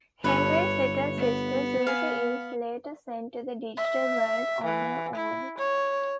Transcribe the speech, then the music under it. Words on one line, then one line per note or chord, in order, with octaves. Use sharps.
Henry's little sister Suzie is later sent to the Digital World on her own.
G1 A4 B4 C#5
B3
F5 G#5
E5
E3
E4
C#5